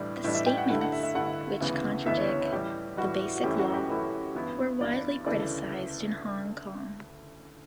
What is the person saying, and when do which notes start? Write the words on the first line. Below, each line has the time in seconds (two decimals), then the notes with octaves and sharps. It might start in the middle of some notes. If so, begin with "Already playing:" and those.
The statements, which contradict the Basic Law, were widely criticised in Hong Kong.
Already playing: A2 E3 G3 D4
0.24 A2 E3 G3 D4 E5
0.35 E5
0.46 G5
0.58 F#5
0.69 G2 D3 A3 E4 F#5
0.81 F#5
0.92 E5
1.03 E5
1.15 G2 D3 A3 E4 F#5
1.60 D2 C#3 E3 B3
2.06 D2 C#3 E3 B3 E5
2.17 C#5
2.29 C#5
2.41 B4
2.52 A2 E3 G3 G4
2.97 A2 E3 G3 F#4
3.36 F#4
3.43 F#2 E3 A3 C#4 E4 G4
3.59 F#4
3.74 G4
3.89 F#2 E3 A3 C#4 E4 B4
4.35 G2 E3 B3 E4
4.80 G2 E3 B3 E4 D5
5.26 D2 C#3 E3 A3 D5